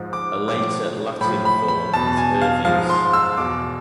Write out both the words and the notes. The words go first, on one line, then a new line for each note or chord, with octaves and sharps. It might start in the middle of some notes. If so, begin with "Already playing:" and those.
A later Latin form is Herveus.
Already playing: G#2 F3
D6
A2 F3 D6
A2 F3 B5
B5
B5
E2 B2 A5
G#5
F5
G#2 F3 F5
C6
E6
E2 B2 D6